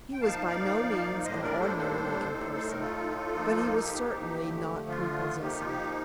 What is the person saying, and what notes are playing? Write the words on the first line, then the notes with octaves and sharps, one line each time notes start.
He was by no means an ordinary looking person, but he was certainly not prepossessing.
G5
F3 A#3 D#4 F5 A5
D5 F5
A2 G3 A#3 D4 C5 D#5
A#4 D5
A4 C5
A4 C5
A2 A3 D#4
C5
A#4
F4 A4
F3 A#3 D#4
G4
D3 F3 A3
F4
F3 A#3 D#4 G4
F4
G4